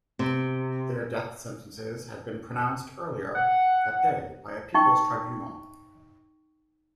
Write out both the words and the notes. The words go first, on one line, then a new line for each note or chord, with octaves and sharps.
Their death sentences had been pronounced earlier that day by a People's Tribunal.
C3
F#5
D#4 G5 C#6